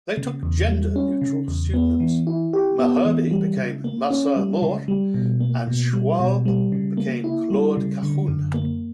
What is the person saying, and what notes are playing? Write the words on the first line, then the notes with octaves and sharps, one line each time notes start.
They took gender-neutral pseudonyms: Malherbe became Marcel Moore, and Schwob became Claude Cahun.
C#3
E2
G3
C#4
C#3
E2
B3
E3
E4
G4
B3
E3
G3
C#3
A#3
C#4
G3
C#3
G3
B2
A#3
B2
G3
B2
G3
C#3
A#3
E4
G3
C#3
D3
F#2
A#3